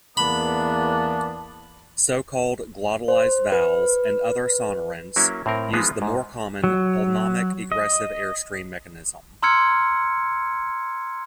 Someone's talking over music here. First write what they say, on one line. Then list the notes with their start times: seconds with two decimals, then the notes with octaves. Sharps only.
So-called glottalized vowels and other sonorants use the more common pulmonic egressive airstream mechanism.
0.17 E2 A#3 B3 D4 B5
3.08 C5
3.52 B4
5.16 F#3 A#3 C#4 E4
5.46 A2 C4 A#4
5.73 E3 F3 G#3 B3 D#4 F4
6.02 G#2
6.64 F#3
7.72 D#5
9.43 A#5 C6 E6 F6 G#6 C#7